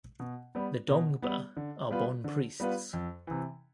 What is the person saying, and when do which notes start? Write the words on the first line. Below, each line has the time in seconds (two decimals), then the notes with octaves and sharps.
The "dongba" are Bon priests.
0.20 B2
0.55 G3 B3
0.88 B2
1.22 G3 B3
1.57 D3
1.90 G3 B3 F4 B4
2.24 D3
2.60 G3 B3 F4 B4
2.93 F2
3.27 C3 E3